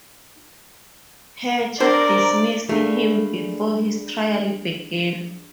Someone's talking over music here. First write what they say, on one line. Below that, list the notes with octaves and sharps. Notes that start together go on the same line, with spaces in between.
Hatcher dismissed him before his trial began.
D4 A#4 C5 D5
A3 A#3 D4 E4 G#4